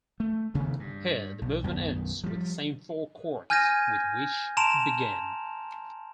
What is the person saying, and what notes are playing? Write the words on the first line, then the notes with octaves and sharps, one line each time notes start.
Here, the movement ends with the same four chords with which it began.
A3
D2 C3 D#3 B3
G2
B1
B1 F#2 D#3 B3
F3 G3
G#5 F6 G6 G#6 A#6 D#7
A5 A#5 C6 D7 E7 F7